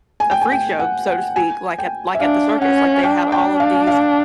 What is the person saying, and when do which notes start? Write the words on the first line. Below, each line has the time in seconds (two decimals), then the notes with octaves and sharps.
a freak show, so to speak, like at like at the circus, like, they had all of these
0.20 G#5
0.31 G5
0.41 G#5
0.52 G5
0.79 F#5
1.08 F#5
1.36 G#5
1.79 G5
2.15 E5
2.19 D4 F5
2.62 C#4 F#5
3.03 D4 G5
3.32 G5
3.60 F5
3.87 F5